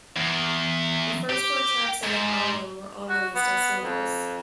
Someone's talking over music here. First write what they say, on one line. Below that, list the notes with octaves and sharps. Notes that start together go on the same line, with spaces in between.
The first four tracks of the album were all released as singles.
E2
G4
G#2
F#4
B3
F2